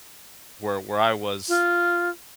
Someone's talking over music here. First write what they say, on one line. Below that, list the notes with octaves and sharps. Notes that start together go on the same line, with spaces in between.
where where I was,
F4